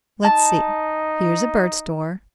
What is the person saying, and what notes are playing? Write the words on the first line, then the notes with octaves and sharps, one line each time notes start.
Let's see--here's a bird store.
D#4 A5